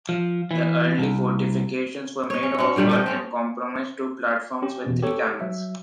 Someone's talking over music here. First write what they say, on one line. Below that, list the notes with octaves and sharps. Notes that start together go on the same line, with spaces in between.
The early fortifications were made of earth and comprised two platforms with three canons.
F3
E3
C2
C#5 D#5
C#4
C#4 D4 F#4
A#2 D3 G3 A3
A3 D#5 G5
C4 C#4
C#4 G4
E2 B2
G4 A4 C#5
F#3 E5